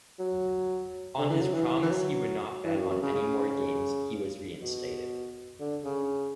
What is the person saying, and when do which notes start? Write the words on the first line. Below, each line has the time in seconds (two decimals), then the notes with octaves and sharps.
On his promise he would not bet on any more games, he was reinstated.
0.19 F#3
1.18 D3
1.30 E3
1.42 F#3
1.54 E3
1.67 E3
1.82 E3
1.91 F#3
2.65 E3
2.77 F#2
2.90 F#2
3.02 C#3
3.14 C#3
4.62 B2
5.60 D3
5.85 C#3